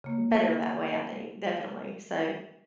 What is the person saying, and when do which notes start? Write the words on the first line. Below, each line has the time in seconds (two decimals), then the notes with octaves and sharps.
better that way, I think, definitely, so,
0.04 C#3 A#3